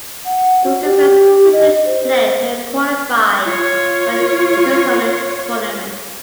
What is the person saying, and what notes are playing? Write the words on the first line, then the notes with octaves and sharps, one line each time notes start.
He was the first British player to qualify for an Interzonal tournament.
F#5
F#4
G4
D#5
C5
F4 C#5